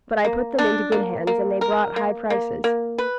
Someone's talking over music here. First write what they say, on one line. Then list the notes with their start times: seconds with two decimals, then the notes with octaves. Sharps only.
But I put them into good hands, and they brought high prices.
0.25 A#3
0.59 D4
0.92 A#3
1.27 A#3
1.61 A#4
1.96 A#3
2.30 A#3
2.64 A#3
2.98 B4